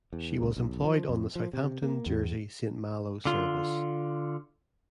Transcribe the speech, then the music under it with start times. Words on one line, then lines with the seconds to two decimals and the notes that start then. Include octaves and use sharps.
She was employed on the Southampton - Jersey - Saint Malo Service.
0.13 E2
0.43 C#2
0.57 B1
0.84 F3
1.09 F2
1.36 F3
1.53 C3
1.83 A#3
2.06 E2
3.25 D3 F4